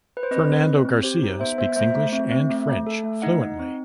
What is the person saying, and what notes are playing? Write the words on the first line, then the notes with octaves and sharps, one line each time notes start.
Fernando Garcia speaks English and French fluently.
B4
C5
C4 B4 D#5
C4
C4
C4
G4 C5
D#4
B3 C5 E5
B3 C5 E5
A3 C5 E5
A3
C4
C4
A3
A3
A4
A3
D#4 D#5 F#5
D#4
C4